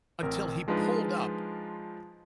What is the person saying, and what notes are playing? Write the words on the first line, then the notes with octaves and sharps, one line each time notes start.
until he pulled up?
A1 C4 A#4
F3 G#3 D4 D#4 F4 B4